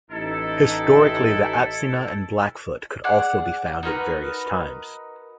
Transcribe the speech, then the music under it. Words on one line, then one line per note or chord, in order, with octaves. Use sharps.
Historically the Atsina and Blackfoot could also be found at various times.
A1 D#4 E4 A4
G#4 D5 F#5
D#4 F#4 A#4 B4